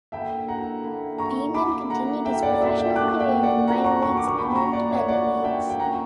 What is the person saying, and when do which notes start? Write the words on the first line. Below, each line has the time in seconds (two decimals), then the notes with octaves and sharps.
Beamon continued his professional career in the minor leagues and in independent leagues.
0.12 D3 A#3 E4 E5 G5
0.48 F#5 A#5
0.83 D3 A#3 E4
1.18 A#5 C#6
1.54 D3 A#3 E4 B5 D6
1.90 F#5 A#5
2.25 D3 A#3 E4 E5 G5
2.42 D5 F#5
2.53 D5
2.62 E5
2.70 F#5
2.78 E5 G5
2.96 A#2 A#3 D4 F#4 D6 F#6
3.19 E5 G5
3.43 D5 F#5
3.67 A#2 A#3 D4 F#4 F#5 A#5
3.84 A#5 C#6
4.02 A#5 C#6
4.17 D6
4.27 C#6
4.38 A#2 A#3 D4 F#4 G5 B5
4.50 B5
4.55 A#5 C#6
4.73 D5 F#5
4.91 C#5 E5
5.08 A#2 A#3 D4 F#4 D5 F#5
5.44 E5 G5
5.70 G5
5.79 A#2 F#3 C#4 F#4 F#5 A#5